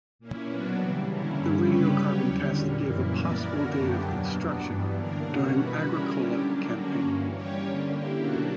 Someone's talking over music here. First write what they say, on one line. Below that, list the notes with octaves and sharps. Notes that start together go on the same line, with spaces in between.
The radiocarbon test gave a possible date of construction during Agricola campaign.
A#2 A#3 C#4 E4
B2 F#3 B3 D4 F#4
C#3 E3 G3
D3 A#3 C#4 E4
G2 D3 G3 C#4 E4
C#3 G3 C#4 G4 B4
F#3 C#4 G4 C#5
E2 D3 G3
A#2 G3 A#3
F#2 E3 A#3 E4
E3 B3 E4 A#4 D5
D3 A#3 C#4 F#4 A#4
F#2 E3 B3 D4 G4
E2 B2 F#3 A#3 D4
F#3 B3 D4
G2 E3 G3 B3
D3 A#3 D4 A#4
B2 G3 C#4 F#4
E3 B3 F#4 B4
D3 G3 C#4 E4 A#4
D3 G3 C#4 G4
F#3 A#3 D4
D3 A#3 C#4 F#4
G2 E3 A#3
G3 C#4 G4 C#5
D3 A#3 C#4
D3 A#3 E4 G4
B2 F#3 A#3 D4 F#4